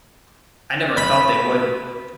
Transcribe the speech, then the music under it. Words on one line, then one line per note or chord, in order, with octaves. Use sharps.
I never thought they would.
B5